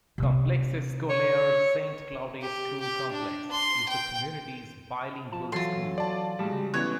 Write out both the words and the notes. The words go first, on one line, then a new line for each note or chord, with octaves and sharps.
Complexe Scolaire Saint Claude School Complex is the community's bilingual school.
C3 C4
C#5
G4
G4
D4
C6
G5
F3 A5
E3 F#3 F4 A4 C6
D5 A5
A2 G3 G#3 A5
C#3
A1 E3 B3 C#5 F#6